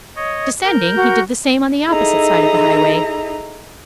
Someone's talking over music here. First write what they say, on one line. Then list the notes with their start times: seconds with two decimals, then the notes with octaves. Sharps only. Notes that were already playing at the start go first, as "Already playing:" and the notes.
Descending, he did the same on the opposite side of the highway.
0.16 C#5 D#5
0.64 A#4 G6
0.96 F#4
1.87 D#4 E4 G#4 A4 D#5 A#5